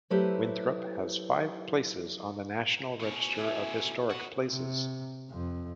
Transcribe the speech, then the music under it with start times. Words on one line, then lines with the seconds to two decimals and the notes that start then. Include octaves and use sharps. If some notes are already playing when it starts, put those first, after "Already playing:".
Winthrop has five places on the National Register of Historic Places.
0.10 F#3 A3 E4 G4 B4 C5
3.00 B2 C#4
3.38 A3 E4 G4
4.10 B3 F#4 F#5
4.49 C3
5.31 F2